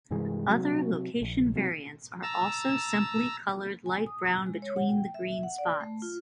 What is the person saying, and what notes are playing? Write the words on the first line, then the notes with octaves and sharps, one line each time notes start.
Other location variants are also simply colored light brown between the green spots.
G2 C3 E3 G#3
C3 F#3
A#1
C3 F#3
A5 A#5 E6
G#5
D#6
G#3
C#5
F#5
G5
E5
F#5
D5
A3
F4